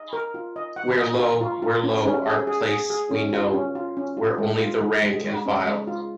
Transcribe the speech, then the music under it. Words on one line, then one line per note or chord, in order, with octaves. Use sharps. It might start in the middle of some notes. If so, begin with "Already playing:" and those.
We're low—we're low—our place we know, We're only the rank and file.
Already playing: D#5
A#4
F4
D#5
F#5
D#5
F4
F4
F4
C#4
C#4
G#4
G#4
G#4
G#4
C#4
F4
C#4
F4
C#4
F4
G#3
F4
G#3
G#3
G#3
C#4
G#3
F4